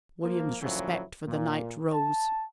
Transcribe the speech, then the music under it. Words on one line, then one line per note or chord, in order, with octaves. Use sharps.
William's respect for the knight rose.
F3 A#3
A#2 D3 F3 F#3 C#4 E4
A#2
A5